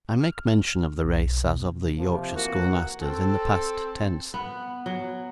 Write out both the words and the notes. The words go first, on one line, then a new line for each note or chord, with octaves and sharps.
I make mention of the race, as of the Yorkshire schoolmasters, in the past tense.
F6
B1
B2
C3 F3 A#3
E3 A#3 F#4
C4 A4
B3
F#3